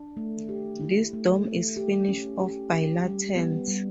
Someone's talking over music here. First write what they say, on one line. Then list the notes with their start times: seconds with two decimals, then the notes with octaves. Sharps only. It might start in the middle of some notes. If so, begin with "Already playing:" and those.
This dome is finished off by lanterns.
Already playing: D4
0.17 A3
0.49 G4
0.80 E4
1.13 A3
1.45 A3
1.77 G4
2.08 C#4
2.40 G4
2.72 G4
3.05 G3
3.36 B3
3.68 G3